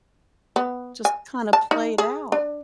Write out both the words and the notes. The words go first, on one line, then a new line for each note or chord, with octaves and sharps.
Just kinda play it out.
B3
G#5
A5
D#4
G#4
D4